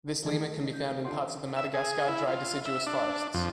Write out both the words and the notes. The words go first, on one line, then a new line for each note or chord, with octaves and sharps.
This lemur can be found in parts of the Madagascar dry deciduous forests.
D#3 E3 A3 G#4 A4
G6
D4 F4 G4 F#5 G5 C6
E5
G#4
E4
F4
E5
D4
F2